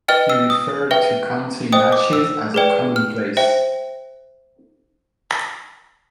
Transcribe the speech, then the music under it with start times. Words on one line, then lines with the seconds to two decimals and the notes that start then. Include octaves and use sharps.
He referred to county matches "as a commonplace".
0.08 B4 D#5 G5 F6
0.30 E6
0.50 D#6
0.91 B4 E5 G5
1.72 C5 D#5 G5 D#6
1.92 D6
2.13 E6
2.54 G#4 B4 D5 G5
2.96 F6
3.37 C5 E5 G5